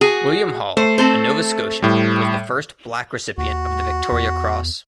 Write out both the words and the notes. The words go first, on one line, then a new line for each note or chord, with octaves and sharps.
William Hall, a Nova Scotian, was the first black recipient of the Victoria Cross.
F#4 G#4
A3 C5
C4 A4 C5
A2 G3
D#2 F#4
E2